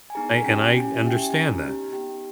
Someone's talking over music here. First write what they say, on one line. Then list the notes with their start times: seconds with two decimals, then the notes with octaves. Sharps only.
I and I understand that.
0.10 G#5
0.15 B3 D#4 G#4 A#5
0.29 G#5
0.45 C#4 E4 G4 G5
0.75 C#4 E4 G4 G#5
0.94 E5
1.03 C#4 G4 G5
1.21 G#5
1.33 C#4 G4 A#5
1.63 B3 D#4 G4
1.92 B3 D#4 G4 G5